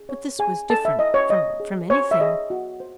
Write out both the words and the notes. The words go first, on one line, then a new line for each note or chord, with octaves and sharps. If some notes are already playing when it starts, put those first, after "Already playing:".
But this was different from--from anything.
Already playing: G#4
C#5
G#4 G#5
A4 A5
E5
E4 D#5
C#5
C#5 D#5
G#4
C5 C#5
E5
G#4 D#5
F#4
C5